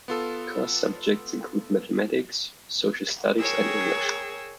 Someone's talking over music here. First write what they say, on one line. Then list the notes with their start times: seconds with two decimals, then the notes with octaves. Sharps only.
Core subjects include mathematics, social studies and English.
0.08 B3 F4 A4
3.38 G#4 A#4 C#5 G5 E6